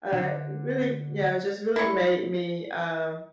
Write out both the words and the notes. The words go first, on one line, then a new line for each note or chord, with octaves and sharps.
uh, really, yeah, just really made me, um,
D3
E4 C#6